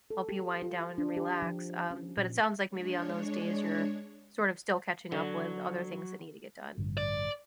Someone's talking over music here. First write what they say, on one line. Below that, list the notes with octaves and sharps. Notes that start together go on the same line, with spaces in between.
help you wind down and relax. Um, but it sounds like maybe on those days, you're sort of still catching up with other things that need to get done.
A4
G4
F4
D4
G4
F3
C#4
A#2
G#3 D4 C#5
D3 F#3
A1 G2 D3
D5